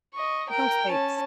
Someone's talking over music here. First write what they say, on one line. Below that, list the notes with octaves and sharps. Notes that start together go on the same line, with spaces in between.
There's no stakes.
D#5 C#6
A#4 G5
C#4 A5